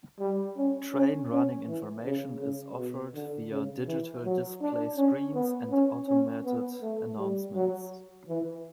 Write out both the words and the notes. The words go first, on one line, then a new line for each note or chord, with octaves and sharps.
Train running information is offered via digital display screens and automated announcements.
G3
C#4
C#4
C#4
E3
C#3
C#3
B2
D3
C#3
E3
F#3
D4
C#4
B3
C#4
C#4
B3
A3
G3
F#3
E3